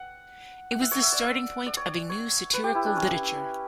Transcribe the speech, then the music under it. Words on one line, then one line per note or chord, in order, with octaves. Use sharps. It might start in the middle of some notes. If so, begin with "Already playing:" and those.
It was the starting-point of a new satirical literature.
Already playing: F#5
F#5
E5
C#5
E5
D5
D5
D5
C#5
D5
C#5
B4
G4
E4
D4
C#4